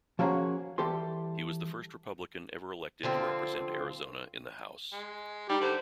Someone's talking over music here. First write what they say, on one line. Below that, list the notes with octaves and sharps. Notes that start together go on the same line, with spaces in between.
He was the first Republican ever elected to represent Arizona in the House.
F3 G3 A#3 C#4 F#4 G#4
E3 G3 G4 A4 C6
D3 F3 C4
G#3
G3 D#4 G4
D3 C5